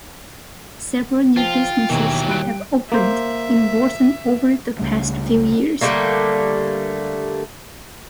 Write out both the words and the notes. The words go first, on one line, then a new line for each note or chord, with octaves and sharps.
Several new businesses have opened in Lorton over the past few years.
F3 F4 G5
D#2 B2 D#3 E3 F#3
G3 F#6 D7
A#3 C5 E5
C#2 C#3 G3 A3
D3 G3 A3 A#3